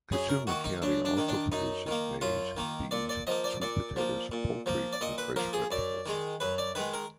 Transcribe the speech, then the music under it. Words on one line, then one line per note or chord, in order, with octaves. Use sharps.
Kisumu County also produces maize, beans, sweet potatoes, poultry and fresh vegetables.
F#2 G#4
A#4
D#3 A#3 F#4
D#4
F#2 D4
D4
D#3 A#3
D4
F#2 D#4
D#3 A#3
F#2 F4
D#3 A#3
A#2 D5
D5
F3 A#3 D#5
D5
A#2 D5
F3 A#3
A#2
F3 A#3
D5
A#2 D#5
B4
F3 A#3 A#4
G#4
F#2 D5
D#3 G#3
F#2 B4
D5
D#3 G#3 B4
A#4